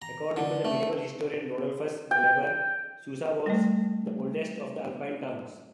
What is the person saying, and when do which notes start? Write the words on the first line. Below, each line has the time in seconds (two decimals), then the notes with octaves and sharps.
According to the medieval historian Rodulfus Glaber, Susa was "the oldest of Alpine towns".
0.02 A#5
0.37 D3
0.65 A3
2.11 G5
3.46 G3 A3